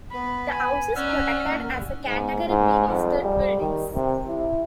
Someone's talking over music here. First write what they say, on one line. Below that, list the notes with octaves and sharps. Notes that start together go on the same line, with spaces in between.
The house is protected as a category B listed building.
B3 B4 B5
G#5 B5
C#4 D5 F#5 E6 F6
G#2
G#2
F2
G3
D#3
C3
E4